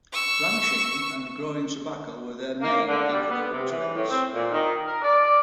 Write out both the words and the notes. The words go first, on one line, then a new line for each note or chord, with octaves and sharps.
Ranching and growing tobacco were their main economic trades.
C#6 E6
A#3
D3
G3
B3
C3
E3
A2
C4
A#2
D#3
A#4
D5